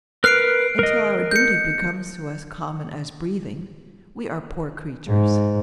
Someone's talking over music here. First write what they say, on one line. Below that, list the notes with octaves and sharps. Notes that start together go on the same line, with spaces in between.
Until our duty becomes to us common as breathing, we are poor creatures.
A#4 B4 F6 F#6 C7 D7
A#4 D#5
G6 C#7
G#2